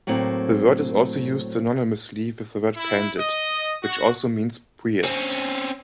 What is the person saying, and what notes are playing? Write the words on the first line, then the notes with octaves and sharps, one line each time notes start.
The word is also used synonymously with the word "pandit", which also means "priest".
A2 F#3 A#3 C4 D5
E4
D#5
F#4
C4 C#4